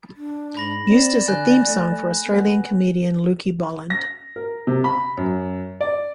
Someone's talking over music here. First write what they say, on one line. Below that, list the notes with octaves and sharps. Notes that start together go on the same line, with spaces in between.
Used as a theme song for Australian comedian Lukey Bolland.
D4
G#2 B5 A#6 F#7
C4 D5 E7
D3 G#5 F#6 G6
A3
A3 B3
A#6
A#4
C3
B5
F#2
D5